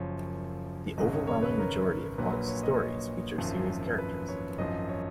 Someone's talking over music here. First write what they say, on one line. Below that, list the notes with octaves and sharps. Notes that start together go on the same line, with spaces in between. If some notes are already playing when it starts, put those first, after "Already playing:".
The overwhelming majority of Hoch's stories feature series characters.
Already playing: F#1 F#2 F3 C#5
G#1 F#2 C#3 D#5
C#5
C#5
B4
A#4
A#1 A#2 F#3 B4
B4
C#5
D#5
C#5
G#1 F#2 F3
B4
C#5
G#1 F#2 F3 D#5
C#5